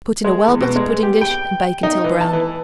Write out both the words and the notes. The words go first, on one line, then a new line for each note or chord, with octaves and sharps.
Put in a well-buttered pudding-dish and bake until brown.
G#3
E2
B2
G#3
G4
G5
D#4
E3
A5
E3